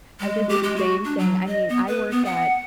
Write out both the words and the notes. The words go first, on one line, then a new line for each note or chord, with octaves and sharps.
I did the same thing. I mean, I worked at
G#3
G4
G#3
F#4
D4
F#3
D#5
B3
B4
B3
F#5